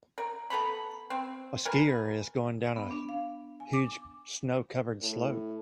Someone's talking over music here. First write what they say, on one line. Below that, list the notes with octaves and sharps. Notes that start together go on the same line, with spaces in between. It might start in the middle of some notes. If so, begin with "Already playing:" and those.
A skier is going down a huge snow covered slope.
A#4
B3 A4 A#5 B5
C4
A#4 B4 G#5
B3
D4
F5
G#5
D6
A2